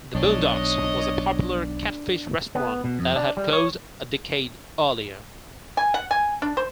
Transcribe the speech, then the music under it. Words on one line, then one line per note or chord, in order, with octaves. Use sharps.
The Boondocks was a popular catfish restaurant that had closed a decade earlier.
B1 D4 C#5 D#5
B3
B2
F2
D4
G3
C#5
G#5
F#5
G#5
D4
C5